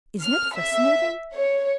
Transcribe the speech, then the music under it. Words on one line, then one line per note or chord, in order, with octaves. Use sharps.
Isn't it fascinating?
F6
E5
C#5